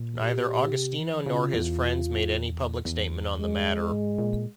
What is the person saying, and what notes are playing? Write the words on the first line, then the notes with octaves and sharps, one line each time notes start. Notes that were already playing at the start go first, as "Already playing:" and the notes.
Neither Agostino nor his friends made any public statement on the matter.
Already playing: A#2
G4
C3
E3
C#3 F4
E2
E2
G#3
G#2
A#2